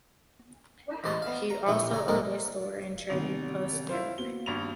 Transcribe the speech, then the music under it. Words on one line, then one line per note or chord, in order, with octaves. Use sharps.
He also owned a store and trading post nearby.
A1 G#3 C5 A5 D#6
B3 F5
A#5
A#1 A2 E4 G4 E5 C#6
C#3 G#5 A#5
A#1 A#3 C4 A4 A#4 D#5
A1 C3 D#3 B3
E4 F4 C5
A#3 B3 F#4 G7
G#1 G2 F7